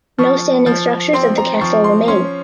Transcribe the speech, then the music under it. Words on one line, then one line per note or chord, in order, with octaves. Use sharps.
No standing structures of the castle remain.
F3 C#6
F3
C4 C6
A#5
F3 C#6
C6
C#4 C6